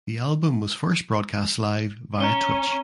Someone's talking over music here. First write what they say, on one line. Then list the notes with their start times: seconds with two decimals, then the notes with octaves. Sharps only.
The album was first broadcast live via Twitch.
2.20 C#4 A#5 G7